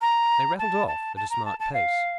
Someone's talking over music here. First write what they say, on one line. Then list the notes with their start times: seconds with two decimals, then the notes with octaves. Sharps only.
They rattled off at a smart pace.
0.01 A#5
0.59 A5
0.87 A5
1.16 A5
1.30 A#5
1.45 A5
1.60 A5
1.73 F5